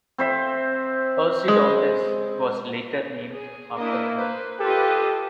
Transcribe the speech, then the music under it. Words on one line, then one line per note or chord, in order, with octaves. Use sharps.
"Ursidongus" was later named after him.
C4 C5 E5
G#3
G#4
A#3 D4 E4 D#5
B4 C5
F4 G4 A4 B4 D#5